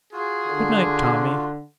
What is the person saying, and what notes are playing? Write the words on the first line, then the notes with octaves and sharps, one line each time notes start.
Good-night, Tommy!'
F4 F#4 G#4
D3